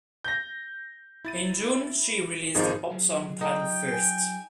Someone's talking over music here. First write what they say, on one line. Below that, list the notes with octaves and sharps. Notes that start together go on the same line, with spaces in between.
In June she released a pop song titled "First".
G6 A#6
E4 A6 D#7
G#1 F3 D#4 G#4
F#3 F4 G#4
D#4 G5
G#5